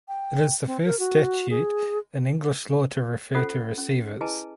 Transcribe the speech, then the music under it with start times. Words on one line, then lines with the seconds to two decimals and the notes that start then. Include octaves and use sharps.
It is the first statute in English law to refer to receivers.
0.08 G5
0.66 C4
0.85 A#4
0.99 F#4
1.50 G#4
3.35 C#4 F4 A4 C5 F#5 D#6
3.78 C#4
4.21 E4 G#4 B4 D#5 G#5 A5